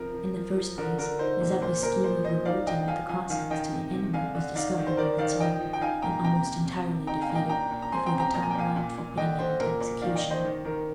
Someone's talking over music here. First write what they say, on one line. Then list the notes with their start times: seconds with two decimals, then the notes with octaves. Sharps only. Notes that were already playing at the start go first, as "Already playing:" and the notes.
In the first place, Mazeppa's scheme of revolting with the Cossacks to the enemy was discovered by the Czar, and almost entirely defeated, before the time arrived for putting it into execution.
Already playing: C3 F3 A#4
0.14 F3
0.36 F3
0.56 F3
0.78 D3 A#4
0.98 D3 A#4
1.19 D#4 C5
1.40 A#2
1.62 A#2 C5
1.82 A#2 A#4
2.04 F3 C5
2.24 F3 C5 D#5
2.45 D#4 D5 F5
2.66 D3 D#5 G5
2.87 F3 F5 G#5
3.09 F3 F5 G#5
3.30 D#3 F5 G#5
3.50 D#3 D#5 G5
3.72 C3
3.93 C3
4.13 D3 F5 G#5
4.35 D3
4.55 D#4 D5 F5
4.77 D#3
4.87 C5
4.97 D#3 A#4 D5
5.18 D#3 D5 F5
5.39 F3 D#5 G5
5.61 F3
5.73 G5
5.81 D#4 F5 G#5
6.02 A#2 G5 A#5
6.23 C3 G5 A#5
6.45 C3
6.65 C3
6.87 C3
7.07 D#4 G5 A#5
7.21 F5 G#5
7.29 A#2
7.35 D#5 G5
7.49 D4 G5 A#5
7.71 A#2
7.82 A#5
7.92 C4 G#5 C6
8.06 G5 A#5
8.13 C3
8.20 G5 A#5
8.34 A#2 A#5
8.42 G#5
8.50 G5
8.55 A#2 F5 G#5
8.76 A#2
8.98 A#2
9.17 D3 D#5 G5
9.39 D3 C5
9.60 A#2 A#4
9.81 A#2
10.01 D#3 D5 F5
10.16 D#5 G5
10.24 D#3
10.30 C5 D#5
10.44 D#3
10.65 D#3 A#4